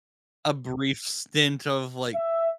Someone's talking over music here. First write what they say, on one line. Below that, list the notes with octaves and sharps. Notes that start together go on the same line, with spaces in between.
a brief stint of, like,
E5